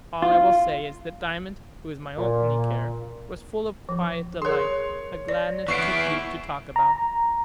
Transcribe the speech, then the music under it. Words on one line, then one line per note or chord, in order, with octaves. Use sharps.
All I will say is, that Diamond, who is my only care, was full of quiet delight--a gladness too deep to talk about.
F4
A#2
F3
G#4 A#4 C#5 C6
D5
E3 B3 E4 C#6 C7 D7
A#5